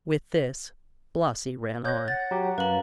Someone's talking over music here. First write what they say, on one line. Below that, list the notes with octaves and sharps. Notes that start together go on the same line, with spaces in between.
With this Blasi ran on.
C#5 F#6 G6 A#6
F#5 A6
F#3 G4 A#5
F#2 B4 F5 A#5 F#7